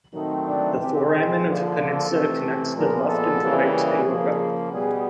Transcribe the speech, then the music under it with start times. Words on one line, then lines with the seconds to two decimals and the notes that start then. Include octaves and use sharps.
The foramen of Panizza connects the left and right aorta.
0.13 D#3 F#3 A3 C4 D#4
0.46 D4
0.79 C3 E3 G#3 C4 G4
1.11 G#4
1.44 D3 F3 A#3
1.77 A4
2.09 C3 E3 A3 C4
2.74 A#2 F3 G#3 B3 A#4
3.07 A4
3.39 C#3 E3 G3 A#3
3.73 G#4
4.05 C#3 F3 A#3
4.71 B2 G3 B3 G#4